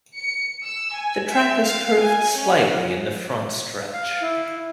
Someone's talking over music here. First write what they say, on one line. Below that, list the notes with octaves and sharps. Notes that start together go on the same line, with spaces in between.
The track is curved slightly in the front stretch.
C#7
E6
G#5
E5
F5
G#5
C#4
F5
E4